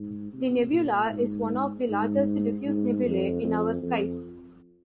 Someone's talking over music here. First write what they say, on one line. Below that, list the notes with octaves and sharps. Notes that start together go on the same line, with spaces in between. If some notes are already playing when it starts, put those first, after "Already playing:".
The nebula is one of the largest diffuse nebulae in our skies.
Already playing: G#2
C3
A#2
G#2
G#2
G#2
F2
F2
F2